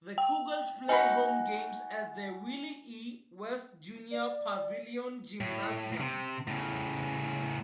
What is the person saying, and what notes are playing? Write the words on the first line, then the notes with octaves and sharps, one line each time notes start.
The Cougars play home games at the Willie E. West Junior Pavillion Gymnasium.
G5
D#4 F#4 G#5 B5
D5
A2
C3
A2 C#3